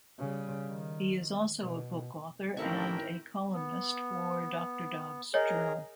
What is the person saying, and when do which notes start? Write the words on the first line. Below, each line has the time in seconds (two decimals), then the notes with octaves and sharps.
He is also a book author and a columnist for Doctor Dobb's Journal.
0.19 C#3 G3
0.68 D#3
1.59 B2
2.57 A1 D#3 C4 E4 A#4 G5 C#6
3.54 B3
5.34 G#4 A#4 C#5 D#5